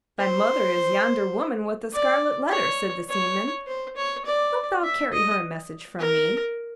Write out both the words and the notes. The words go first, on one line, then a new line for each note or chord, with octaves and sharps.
"Thy mother is yonder woman with the scarlet letter," said the seaman, "Wilt thou carry her a message from me?"
C5
D5
C#5
C#5
C5
C#5
D5
E5
D#5
A#4